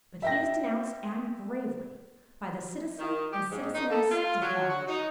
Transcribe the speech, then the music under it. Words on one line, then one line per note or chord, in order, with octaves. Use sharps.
But he is denounced--and gravely--by the Citizen and Citizeness Defarge.
E5 G5 A#6
D#3
G4
G#2
D#4
A4
F4
F#3
F#4
D#4